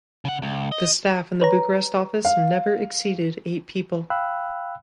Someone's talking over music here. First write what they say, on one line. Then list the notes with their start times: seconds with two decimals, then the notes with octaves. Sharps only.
The staff in the Bucharest office never exceeded eight people.
0.25 C#3 F#5
0.42 C#2
0.72 D#5
1.41 B4 C#5 A#5
2.25 F5
4.10 F5 G5 B5 E6 F#6